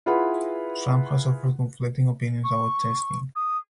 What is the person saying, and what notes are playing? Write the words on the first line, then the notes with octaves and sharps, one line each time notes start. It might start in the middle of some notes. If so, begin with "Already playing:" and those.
Trump has offered conflicting opinions about testing.
E4 F4 G#4 B4 F#5 B5
C#6
D#6